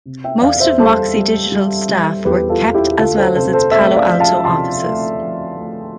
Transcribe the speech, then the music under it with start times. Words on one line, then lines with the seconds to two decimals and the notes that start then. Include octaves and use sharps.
Most of Moxi Digital's staff were kept as well as its Palo Alto offices.
0.06 C3
0.24 E5 G5
0.42 E2 D5 F5
0.60 C5 E5
0.78 G3 A4 C5
1.16 G3
1.52 G3
1.89 G3
2.25 E2 G4 B4
2.49 F4 A4
2.62 E2
2.74 E4 G4
2.91 G4
2.98 D2 F4 A4
3.17 A4 C5
3.35 C3 A4 C5
3.53 A4 C5
3.71 A3 C5 E5
3.96 D5 F5
4.09 F3
4.20 F5 A5
4.45 C3 A5 C6
4.82 A3
5.18 F3
5.55 A3